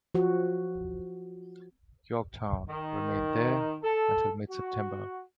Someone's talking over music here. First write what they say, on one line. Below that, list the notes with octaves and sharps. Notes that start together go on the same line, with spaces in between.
"Yorktown" remained there until mid-September.
F3 F#4
D#3
A4
F#4